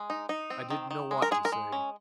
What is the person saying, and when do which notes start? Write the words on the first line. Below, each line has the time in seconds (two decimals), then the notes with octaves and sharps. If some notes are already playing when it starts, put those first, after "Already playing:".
I didn't know what to say.
Already playing: G#3
0.10 D#4
0.29 D#4
0.50 C4
0.70 D#3
0.91 D#3
1.11 G#3
1.22 A#4
1.31 G#3 G#4
1.45 A#4
1.52 G#3
1.72 C#4